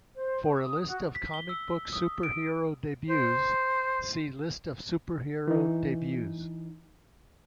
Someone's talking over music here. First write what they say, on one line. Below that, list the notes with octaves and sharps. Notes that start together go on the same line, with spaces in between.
For a list of comic book superhero debuts, see List of superhero debuts.
C5
C#6
D#6
F#4
B6
G7
E6
D#6
D7
C5
E3 D#4